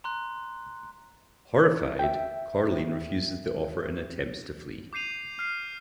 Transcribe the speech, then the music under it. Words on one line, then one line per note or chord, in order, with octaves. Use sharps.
Horrified, Coraline refuses the offer and attempts to flee.
A#5 C6 F#6
E5 G5
D6 G6 C7 D#7 F7
F6 C7